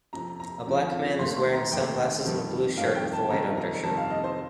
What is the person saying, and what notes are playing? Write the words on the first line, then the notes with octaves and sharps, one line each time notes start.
A black man is wearing sunglasses and a blue shirt with a white undershirt.
F2 C3 F3 A#5
A#5
F2 C3 F3
D#2 D#3 A3 C6
C6
A#5
D#2 D#3 A3 G5
F2 D#3 G3
F2 D#3 G3 F5
G5
A5
F1 F2 D#3 G3 A#5
A#5
F1 F2 D#3 G3 A5
F5
D#5
C5